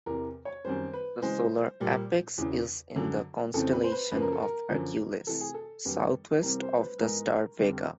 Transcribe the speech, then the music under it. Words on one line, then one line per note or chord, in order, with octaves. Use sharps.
The solar apex is in the constellation of Hercules, southwest of the star Vega.
E2 C3 E3 A#4
C#5
F#2 D#3 G3 C4 C5
B4
C#3 E3 G#3 C5
A#2 G3 A#3
E2 C#3 E3
F#2 D3 F#3
F2 C#3 E3 A3 C4 A4
B4
C5
B4
F#2 C#3 F3 A#3 B4
A#4
A4
A#4
F#2 D3 F3
C3 E3 A3 A4
G#4
A4
F#2 D#3 G3 B3
C3 E3 G3 C4 A#4
C5
B4
G#2 E3 G#3 B3 A#4
F2 D3 G3